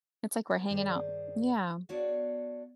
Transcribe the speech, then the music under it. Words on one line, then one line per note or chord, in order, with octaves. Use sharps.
It's like we're hanging out, yeah.
B3
G2 D#3 G#4 C5 D5
B3 D4 F#4 C#5 D5 F5